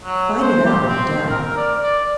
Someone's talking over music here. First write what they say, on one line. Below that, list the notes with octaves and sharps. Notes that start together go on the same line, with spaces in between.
Fight it out with doubt.
F#3
C5
G4
C4
A#4
D5
D5